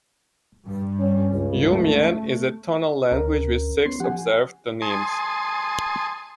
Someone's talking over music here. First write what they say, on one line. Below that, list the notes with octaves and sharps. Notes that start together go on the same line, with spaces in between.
Iu Mien is a tonal language with six observed tonemes.
G2 G3
C#4
C#2
A3
D2 C#4 A#4
B3 C#4 C6
F3 G4 F#5 G#5
G#5 A5 C6 D#6